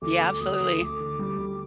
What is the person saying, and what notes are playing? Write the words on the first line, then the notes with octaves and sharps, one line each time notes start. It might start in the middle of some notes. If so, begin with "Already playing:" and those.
Yeah, absolutely,
D2 D6
D2
D2 D#6
D2
D2 D6 D#6
D3
G3
D2